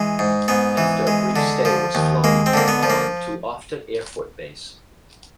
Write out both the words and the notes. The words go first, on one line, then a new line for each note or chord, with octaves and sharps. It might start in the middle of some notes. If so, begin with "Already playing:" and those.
After a brief stay it was flown on to Offutt Air Force Base.
Already playing: E3 G#3
G#2
G#2 B3
E3
G#3
D3
F3
D#2
G#3 A#3
C4
D3 A#3
B3
F3
A#3